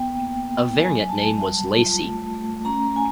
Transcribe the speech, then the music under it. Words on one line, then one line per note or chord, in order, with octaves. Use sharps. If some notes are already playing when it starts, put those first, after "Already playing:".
A variant name was "Lacey".
Already playing: B3 G5
A#3
A#3
F#3 G#5
F#3 A5
G3
F4
A3
A3
C#4 A#5
G#5